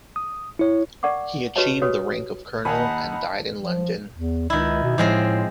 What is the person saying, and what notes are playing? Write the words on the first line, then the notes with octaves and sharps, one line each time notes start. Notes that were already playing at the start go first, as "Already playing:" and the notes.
He achieved the rank of colonel and died in London.
D#6
E4 C#5
A#4 D5 F#5 C#6 D6
F#4 G4 B4 C#5 D#5 A5
F#4 G4 B4 C#5 D#6
D#2 D#4 F#5 G#5 A5 B5
F3
E2
C#2 D#3 E4
B2
A2 F3 G#3 C4